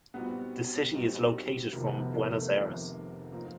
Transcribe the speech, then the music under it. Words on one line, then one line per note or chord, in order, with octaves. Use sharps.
The city is located from Buenos Aires.
A#2 G3 B3 C4 D#4 F#4
A#2 G3 C4 D#4 F#4
F1 F2 C3 D#3 A#3
B3
A#3
A3
F1 F2 C3 D#3
G#2 F3 A#3 D#4